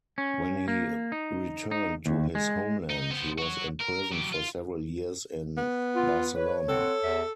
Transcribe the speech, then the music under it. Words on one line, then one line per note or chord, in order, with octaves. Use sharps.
When he returned to his homeland, he was imprisoned for several years in Barcelona.
C#4
A#3
D#4
D#4
D#2
G#3
D#4
B3 C5
F#4 C#5
A#4
F#3 G4
F4
B3
F4 F#5
B4 C#5
C4 A4 F#5
E2 E5